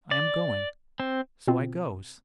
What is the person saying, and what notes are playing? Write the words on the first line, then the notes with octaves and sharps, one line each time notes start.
I am going.' So I goes.
D5
C4
B2 C4 F4